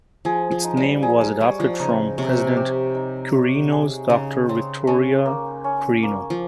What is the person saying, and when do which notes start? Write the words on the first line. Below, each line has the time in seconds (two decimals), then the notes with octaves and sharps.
Its name was adopted from President Quirino's daughter Victoria Quirino.
0.25 F3 G#4
0.51 F3
0.64 D#4
0.77 G3
1.02 F3 G#4
1.21 G3
1.41 G3 C#5
1.60 F3
1.80 C#3 D#4
2.18 C3 C#5
2.57 G4
2.95 D#4
3.33 C#5
3.72 G#4
4.10 C#3 D#4
4.49 C#3 C4
4.87 C#3 C#4
5.26 A#3
5.64 C#4
6.03 A#3
6.30 F3